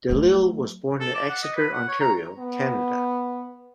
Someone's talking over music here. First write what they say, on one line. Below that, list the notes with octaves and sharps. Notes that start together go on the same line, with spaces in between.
De Lisle was born in Exeter, Ontario, Canada.
F#3 A3
A4
D5
F#5
D#5
B4
F#5
C#5
A#5
B3